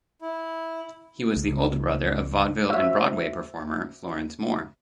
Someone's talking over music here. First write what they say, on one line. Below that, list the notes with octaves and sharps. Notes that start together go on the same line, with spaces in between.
He was the older brother of vaudeville and Broadway performer Florence Moore.
E4
C#2
F#4 C5 E5 E6